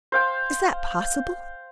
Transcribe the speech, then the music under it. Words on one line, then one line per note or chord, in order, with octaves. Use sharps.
Is that possible?
C5 F5 G5